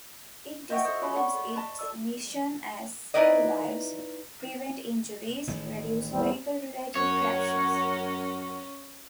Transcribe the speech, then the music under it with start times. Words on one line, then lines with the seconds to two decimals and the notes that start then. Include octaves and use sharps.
It describes its mission as Save lives, prevent injuries, reduce vehicle-related crashes.
0.70 C5 D#5 E5 F#5 G5 C#6
0.84 A4 C5 F#5 D#6
1.02 F#4 C#5 B5 C6
1.16 D5 F#5 C#6
1.56 D#5 A5 B5
1.79 A4 D5 E6
3.14 D#4 E4 B4 D5 D#5
5.47 A1 D#3 G#3
6.12 E2 G3 C4
6.95 F#2 C#4 A#4 C#5 F#5